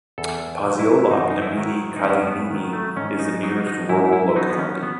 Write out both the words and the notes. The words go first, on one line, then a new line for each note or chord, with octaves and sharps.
Posyolok imeni Kalinina is the nearest rural locality.
E2 A4
B2 F#3
E4
F#2 D#4
D#4
E4
D#3 F#3
D#4
F#2 C#4
B3
D#3 F#3
A3
G#2 C#4
D#4
F#3 D#4
D#4
G#2 E4
E4
F#3 D#4
B3
C#4
B3